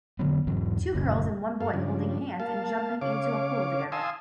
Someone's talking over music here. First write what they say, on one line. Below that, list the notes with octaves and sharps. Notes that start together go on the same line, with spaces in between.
Two girls and one boy holding hands and jumping into a pool together.
D3 F#3 B3
E2 G#2 E3 F#3
D#1 F#2 C#3 A#3
G2 A4 F5
G2 C#3 F3 D4
A#3 F5 A5
C#3 C#5 F5 D6
F5 G#5 A5 C6 D#6 E6